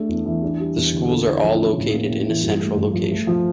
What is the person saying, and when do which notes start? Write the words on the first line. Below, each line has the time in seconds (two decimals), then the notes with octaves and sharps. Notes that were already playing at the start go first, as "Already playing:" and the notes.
The schools are all located in a central location.
Already playing: A3 D4
0.09 E2
0.25 E3
0.42 D4
0.59 G3
0.76 E2
0.93 D3
1.09 A4
1.26 E4
1.42 F3
1.60 C#4
1.76 A2
1.93 A#3
2.09 A2
2.26 E3
2.43 G2
2.60 A3
2.77 G2
2.93 F3
3.10 A3
3.27 F3